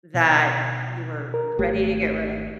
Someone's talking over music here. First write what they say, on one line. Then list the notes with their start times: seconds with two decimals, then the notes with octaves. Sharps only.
that you were ready to get rid of?
0.14 B2
1.34 A#4
1.59 G#1 A3 G4